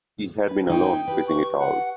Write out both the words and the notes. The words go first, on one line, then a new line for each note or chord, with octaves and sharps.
He had been alone: facing it all.
B4
D#4 E4 G5
G4 B4
C#6
F#5